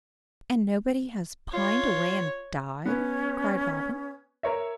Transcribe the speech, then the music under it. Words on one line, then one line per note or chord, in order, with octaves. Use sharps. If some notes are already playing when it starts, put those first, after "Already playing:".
"And nobody has pined away and died?" cried Robin.
F4 C#5
B3 C#4
A#4 C#5 E5